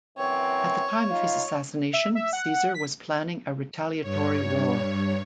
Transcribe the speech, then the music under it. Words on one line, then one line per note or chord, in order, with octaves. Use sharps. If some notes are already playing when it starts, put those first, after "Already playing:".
At the time of his assassination, Caesar was planning a retaliatory war.
F#2 E3 C4 C#5
D#4 F4
E5
E5
F#5
B6
G2 C#5